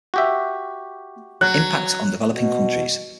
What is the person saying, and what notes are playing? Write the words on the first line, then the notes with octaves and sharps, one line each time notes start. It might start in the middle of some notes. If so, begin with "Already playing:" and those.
Impact on Developing Countries.
F#4 G4 E5
F#3 F#6
B2